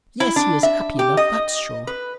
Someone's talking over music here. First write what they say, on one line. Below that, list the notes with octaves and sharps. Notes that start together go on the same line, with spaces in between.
Yes, he is happy enough, that's sure!
E4
D4
E5
G4
D#5
B4